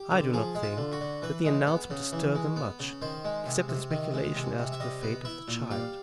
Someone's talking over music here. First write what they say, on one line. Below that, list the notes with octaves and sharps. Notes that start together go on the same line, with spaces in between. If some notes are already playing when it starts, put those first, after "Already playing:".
I do not think that the announcement disturbed them much, except in speculation as to the fate of the child.
Already playing: G4
D3
F3 G#4
G#3
F4
D3
F#4
D3
E3 B4
G#3
B3
C#3
E3
G#3
B3
C#3
D#3 C5
G#3
C3
C3
D#3
G#3
C3
C3
E5
G3 D#5
B3
E4 E5
A#2
G3 F5